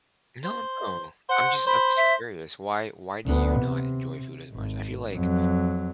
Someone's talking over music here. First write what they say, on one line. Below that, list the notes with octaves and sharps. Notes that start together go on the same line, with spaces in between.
No, no, I'm just I'm just curious, why why do you not enjoy food as much? I feel like
C5
C5 F#5
C5 B5
E5
D2 B3
C3
G#1
F2 F#3